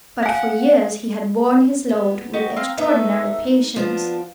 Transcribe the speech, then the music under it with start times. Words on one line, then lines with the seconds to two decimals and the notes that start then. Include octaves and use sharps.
But for years he had borne his load with extraordinary patience.
0.23 F5 F#5 G#5
1.89 B3
2.33 D#4 F#4 G4
2.56 C4 D#4 F5
2.78 A3 B3 D#4 E5
3.76 F3 B3 D4 F4